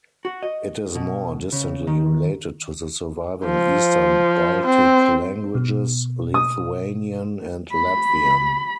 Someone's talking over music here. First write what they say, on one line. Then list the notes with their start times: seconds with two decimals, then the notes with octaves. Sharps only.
It is more distantly related to the surviving Eastern Baltic languages, Lithuanian and Latvian.
0.25 F#4
0.43 D#5
0.95 B2
1.52 C#3
1.87 D#3
3.45 F3
4.66 C4
5.55 B2
6.34 D#6
7.73 B5